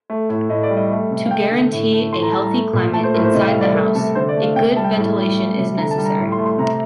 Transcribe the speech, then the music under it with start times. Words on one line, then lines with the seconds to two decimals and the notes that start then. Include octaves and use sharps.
To guarantee a healthy climate inside the house, a good ventilation is necessary.
0.10 A3
0.29 A2
0.50 A2 D#5
0.63 D5
0.71 G3
0.77 D#5
0.91 A3
1.11 C3
1.26 F5
1.31 A3 G5
1.51 D3
1.72 A2
1.92 A3
2.13 A2 C6
2.23 A#5
2.32 G3 A5
2.43 A#5
2.53 A3
2.73 A#2
2.93 A3 A5
3.04 C5
3.14 A2 A#4
3.24 C5
3.34 C3 D#5
3.47 F5
3.54 G3
3.61 D5
3.75 A3 A#4
3.95 C3 A4
4.15 D3 C5
4.29 D5
4.36 A3
4.42 F5
4.56 C3 G5
4.76 G3 A5
4.84 G5
4.94 A2 A5
5.16 G3
5.37 A3
5.58 C3
5.78 D3 A#5
5.91 A5
5.98 G3
6.05 A#5
6.18 A2
6.32 C6
6.39 A3
6.46 C6
6.58 C3 A#5